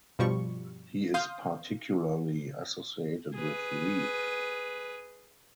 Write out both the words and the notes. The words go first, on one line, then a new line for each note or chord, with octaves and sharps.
He is particularly associated with Leith.
G2 B2 F3 G3 C#6
F5 C6 D#6 G6
G#4 B4